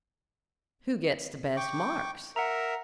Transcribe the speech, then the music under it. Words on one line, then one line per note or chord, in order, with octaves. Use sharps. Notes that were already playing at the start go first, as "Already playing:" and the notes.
"Who gets the best marks?"
G5 C#6 D6
A#4 E5 F#5 A#5